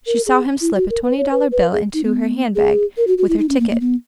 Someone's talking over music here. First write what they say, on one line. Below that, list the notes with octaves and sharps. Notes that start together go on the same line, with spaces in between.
She saw him slip a twenty-dollar bill into her handbag with her ticket.
A#4
G#4
E4
F#4
A#4
B4
C#5
B4
B4
G#4
D#4
B3
G#4
A#4
F#4
F#4
E4
D#4
C#4
A#3
A#3
B3